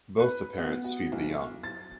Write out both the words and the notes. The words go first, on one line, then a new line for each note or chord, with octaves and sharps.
Both the parents feed the young.
B4
B3
F#4
B1
A6